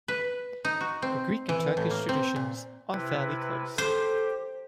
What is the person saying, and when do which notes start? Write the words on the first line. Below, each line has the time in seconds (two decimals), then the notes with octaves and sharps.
The Greek and Turkish traditions are fairly close.
0.08 B4
0.65 D#4
0.81 F#4
1.02 C4
1.49 E3
1.77 A2
1.91 A#3
2.09 C4
2.36 A#2
2.93 C3 E4 B4
3.78 G4 A4 C5